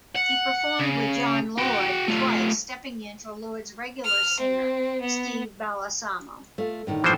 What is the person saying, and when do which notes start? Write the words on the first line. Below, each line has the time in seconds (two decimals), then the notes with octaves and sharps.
He performed with Jon Lord twice, stepping in for Lord's regular singer Steve Balsamo.
0.15 F#5
0.79 C#3
1.58 F#4 G5
2.08 A3 F4
4.05 F6
4.39 C4
5.01 B3
6.58 A3 F4
6.87 A2 D3 D#3
7.04 A2 E3 F3 D4 C5 G#5